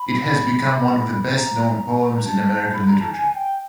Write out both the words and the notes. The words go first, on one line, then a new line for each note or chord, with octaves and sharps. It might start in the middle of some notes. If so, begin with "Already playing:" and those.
It has become one of the best-known poems in American literature.
Already playing: B5
A#5
A5
B5
A#5
A5
G#5
G5